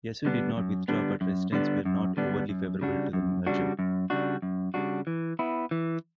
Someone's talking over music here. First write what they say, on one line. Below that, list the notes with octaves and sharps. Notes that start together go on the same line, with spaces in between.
Yasu did not withdraw but residents were not overly favorable to the merger.
D3 G3 B3 D4
F#2
D3 G3 B3 D4
F#2
D3 G3 B3 D4
F#2
D3 G3 B3 D4
F#2
C#3 G3 D4 F#4
F#2
C#3 G3 D4 F#4
F#2
C#3 G3 D4 F#4
F#2
C#3 G3 D4 F#4
E3
B3 E4
E3